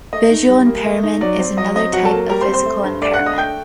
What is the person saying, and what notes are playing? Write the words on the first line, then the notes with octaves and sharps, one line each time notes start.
Visual impairment is another type of physical impairment.
A3 D#5
D#4
G3
A#3
A3
D#4
F#3 D5
C4
F#3 D#5
C4 D#5
F#3 F#4 F#5
A4 A5
A#3
G3 A#4 A#5
C5 C6
C4
C5 C6
A3
G2
A3 D5 D6
F#5 F#6
D4
D#5 D#6
A3 G5 G6